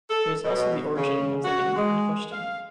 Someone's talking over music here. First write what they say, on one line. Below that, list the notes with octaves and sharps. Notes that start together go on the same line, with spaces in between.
This is also the origin of the name in question.
A4
B2
C#3
F#4
G#3
F5